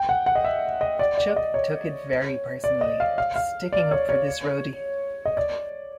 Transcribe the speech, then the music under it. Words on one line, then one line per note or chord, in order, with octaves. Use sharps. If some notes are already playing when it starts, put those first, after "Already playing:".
Chuck took it very personally, sticking up for this roadie.
Already playing: G5
F#5
F#5
D#5
E5
D#5
D5
D5
D#5
C#5
D5
D#5
F5
F5
F5
D5
C#5
C#5
D#5
D5